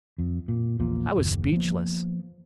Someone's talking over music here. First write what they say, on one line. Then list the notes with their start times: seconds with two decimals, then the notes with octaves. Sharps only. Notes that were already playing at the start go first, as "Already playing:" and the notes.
I was speechless.
0.18 F2
0.48 A#2
0.79 A#1 E2 A#2
1.18 F#1 D#2
1.52 F3 A#3 B3